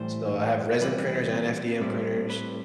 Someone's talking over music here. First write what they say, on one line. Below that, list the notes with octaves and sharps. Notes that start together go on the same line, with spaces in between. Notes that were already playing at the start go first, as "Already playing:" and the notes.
So, I have resin printers and FDM printers.
Already playing: A2 E3 G3 C5
E3 G3 C4 E4 B4
A2 G3 C4 E4
B4